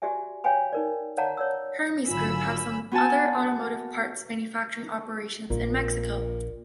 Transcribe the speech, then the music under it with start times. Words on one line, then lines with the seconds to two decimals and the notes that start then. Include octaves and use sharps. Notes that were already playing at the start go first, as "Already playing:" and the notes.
Hermes-Group have some other automotive parts manufacturing operations in Mexico.
0.02 F#4 G4 D5 E5 G#5
0.44 C#5 F5 G5 G#5 B5
0.73 D#4 A#4 D5
1.17 C#5 D5 F5 F#5 A5 A#5
1.37 C#5 D5 E6
2.07 G#1 D3 F#3 F4 G#5 B5 E6
2.92 B3 F#4 G#5 A5
5.50 A#1 A#2